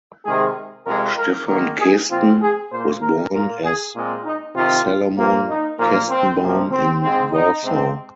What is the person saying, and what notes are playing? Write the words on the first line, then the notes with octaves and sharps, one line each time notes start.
Stefan Kesten was born as Salomon Kestenbaum in Warsaw.
C3 D#3 G#3 G#4
F2 C3 G#3 A#4
A#4
G#2 D#3 A#3 A#4
G#4
A#2 F3 C4 F4
G#4
A#2 A#3 C5
A#4
A#2 A#3 A#4
G#4
A#2 G#3 C4
D#4
F2 C3 D#3 F4
A#2 F3 A#3
D#4
A#2 F3 A#3
C4
F2 C3 F3 A#3
C4
G#2 G#3 C4
D#4
C3 G#3 C4